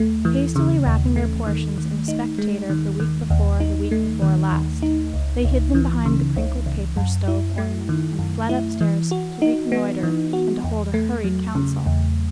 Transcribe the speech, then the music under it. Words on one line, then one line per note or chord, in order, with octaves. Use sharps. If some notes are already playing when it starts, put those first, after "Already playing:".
Hastily wrapping their portions in a Spectator of the week before the week before last, they hid them behind the crinkled-paper stove-ornament, and fled upstairs to reconnoitre and to hold a hurried council.
Already playing: D#2 A3
E3
C#3
D#2
A3
D#3
D#3
D#4
G#3
D#3
D#3
D#2
D#4
A3
D#3
D#2
D#4
C#2
C#2
E3
C#3
C#2
C#2
F#2
E4
A3
D#3
F#2
E4
E3
F#4
D#4
B3
E3
F#4
E2
A3
F#3
C#3
E2